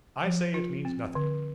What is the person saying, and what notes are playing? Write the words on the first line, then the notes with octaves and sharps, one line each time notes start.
'I say it means nothing.
F3
F4
C4
D3